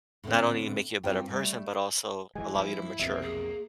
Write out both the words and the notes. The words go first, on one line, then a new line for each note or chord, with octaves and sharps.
not only make you a better person, but also allow you to mature.
A2 D3 B3 C4
G2 C4 F4 A#4 G5
G3 A3
E3 G#3 G#5
G2 F3 A#3 E4
B1 F2 C3 A#3 E5
G#4